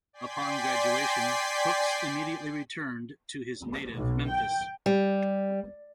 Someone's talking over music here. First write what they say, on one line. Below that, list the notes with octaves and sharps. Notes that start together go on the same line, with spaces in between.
Upon graduation Hooks immediately returned to his native Memphis.
D5 G5 G#5 C6 B6 C7
B1
G5
G3